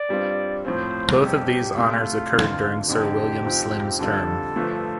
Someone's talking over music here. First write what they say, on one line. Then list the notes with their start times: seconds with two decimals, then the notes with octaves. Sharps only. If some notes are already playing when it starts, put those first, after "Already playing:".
Both of these honours occurred during Sir William Slim's term.
Already playing: D5
0.09 G2 G3 C4 F4
0.65 A2 F3 C4 C5
1.21 F2 C3 G3 G4
1.76 C2 C3 A3 F4
2.32 G1 F2 D3
2.88 F1 F2 D3 G4
3.44 F1 F2 F3 C4
3.99 F2 D3 G3 F4 A4
4.55 G1 G2 F3 A3 F4